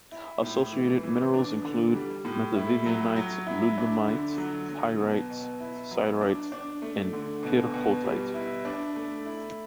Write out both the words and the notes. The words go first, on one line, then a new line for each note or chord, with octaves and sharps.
Associated minerals include metavivianite, ludlamite, pyrite, siderite and pyrrhotite.
E4
A2
E3
E3
D4
D3
G3
A2
E4
F#3
F#3
E4
D4
D3
F#3
F#3
B2
B2
E4
F#3
D4
D4
A3
D3
B2
B2
G3
E4
D4
A3
E4